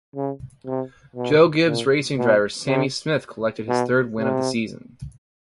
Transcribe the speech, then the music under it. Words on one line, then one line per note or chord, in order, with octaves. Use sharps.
Joe Gibbs Racing driver Sammy Smith collected his third win of the season.
C#3
C3
B2
A#2
B2
C3
B2
C3